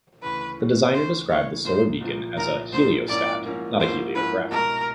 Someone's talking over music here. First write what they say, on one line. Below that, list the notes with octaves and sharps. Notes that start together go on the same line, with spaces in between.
The designer described the Solar Beacon as a "heliostat", not a "heliograph".
D2 C#3 E3 B4
D2 C#3 E3
D2 C#3 E3 C5
D2 C#3 E3 C#5
C2 A#2 F3 C5
C2 A#2 F3
C2 A#2 F3 A#4
C2 A#2 F3 C5
G#2 F3 A#3 C#4 E4 D5
G#2 F3 A#3 C#4 E4
G#2 F3 A#3 C#4 E4 C5
G#2 F3 A#3 C#4 E4 B4
C2 B2 G#3 A#4